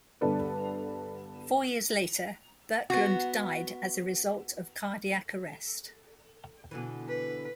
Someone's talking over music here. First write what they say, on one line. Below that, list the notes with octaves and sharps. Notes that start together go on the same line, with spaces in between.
Four years later, Birkelund died as a result of cardiac arrest.
G2 D3 B3 A4 B4 D5
B3 F#4
B2 D3 E3
B4